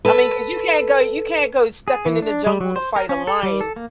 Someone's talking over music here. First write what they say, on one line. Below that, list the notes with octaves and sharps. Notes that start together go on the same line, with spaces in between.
I mean, 'cause you can't go you can't go stepping in the jungle to fight a lion
A4 B4
G#4
E3
D4
G3
F#3
C5
A#4
C#4
A4
G3
A4
A#3